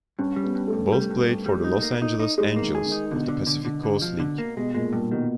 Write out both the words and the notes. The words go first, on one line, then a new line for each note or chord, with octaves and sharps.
Both played for the Los Angeles Angels of the Pacific Coast League.
G2 C#4
G3
B3
G2
A3
G2
G3 A3
G2
G2
G3
D#4
A#3
D#4
D#4
G#3 D#4
A#3
D#3
G#4
D#3
D#4
B2 D3
D3
D3
D3
D3
F3
D3
A#3
B2 G#3
A#2 G#3
G2 A#2
B2 D#3